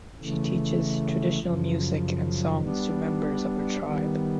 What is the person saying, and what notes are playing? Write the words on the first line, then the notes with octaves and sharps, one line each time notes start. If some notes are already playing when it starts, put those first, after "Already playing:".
She teaches traditional music and songs to members of her tribe.
C#3 E3 A3
F#2 C#3 F3
G3 B3 D4
D#3 G3 B3